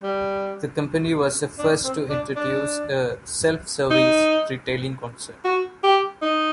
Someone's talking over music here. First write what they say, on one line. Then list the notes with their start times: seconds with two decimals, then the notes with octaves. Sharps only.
The company was the first to introduce a "self-service" retailing concept.
0.03 G3
1.59 D4
1.84 C4
2.10 D4
2.36 D4
3.90 D#4
5.45 F#4
5.83 G4
6.22 D#4